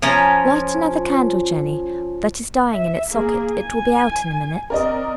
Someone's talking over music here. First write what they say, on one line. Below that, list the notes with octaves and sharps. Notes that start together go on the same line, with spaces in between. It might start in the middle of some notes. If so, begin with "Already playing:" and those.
"Light another candle, Jenny--that is dying in its socket--it will be out in a minute."
F3 C#4 A#5
E5
A#3 G#4
G#5
C4 A#4 D5 D#5